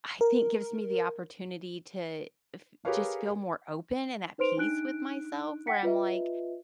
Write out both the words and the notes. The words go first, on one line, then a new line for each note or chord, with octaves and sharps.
I think, gives me the opportunity to f just feel more open and at peace with myself where I'm like,
A#4
G4 G#4 A#4 B4 C#5 F5
D#4 B4 C5 C6 D7 F7
D4 D#4 F#6 D7
F#5 G5 B6 C#7
F4 B4 D#5 E5